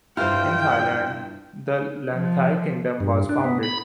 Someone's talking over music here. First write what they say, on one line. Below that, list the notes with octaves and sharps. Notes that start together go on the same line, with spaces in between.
In Thailand the Lannathai kingdom was founded.
F1 G2 E4 F4 C5 G5 F6
F3
G2
D4
B3
B5